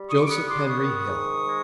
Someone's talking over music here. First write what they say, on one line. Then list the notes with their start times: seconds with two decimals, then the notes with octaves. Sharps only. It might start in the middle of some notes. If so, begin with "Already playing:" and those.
Joseph Henry Hill.
Already playing: G3
0.09 C#6 D#6
0.21 D6
0.28 B3 C#6 D#6
0.44 D#6
0.49 C6 D6
0.68 D#3 C#6 D#6
1.08 G#2
1.47 G#3